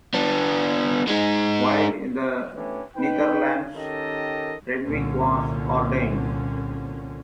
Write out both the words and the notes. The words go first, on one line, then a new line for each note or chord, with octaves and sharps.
While in the Netherlands Renwick was ordained.
B3 D4
G#3 D#4
A3 B3 C#4 D4 E4 G4
D#4 B4 G5
D#3 C#4 G4 A4 A#4 D#5
C2 A#2 D3 C4 C#4